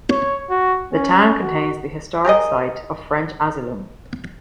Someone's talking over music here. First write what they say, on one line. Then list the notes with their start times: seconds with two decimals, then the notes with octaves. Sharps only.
The town contains the historic site of French Azilum.
0.11 C#5
0.50 F#4
0.93 C#4
1.42 F#4
2.25 G4 G#4 A#4 D#5